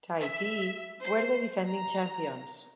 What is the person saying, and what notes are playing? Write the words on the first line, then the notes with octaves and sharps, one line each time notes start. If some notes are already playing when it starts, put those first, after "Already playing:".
Tahiti were the defending champions.
E5
C5 C7
A#5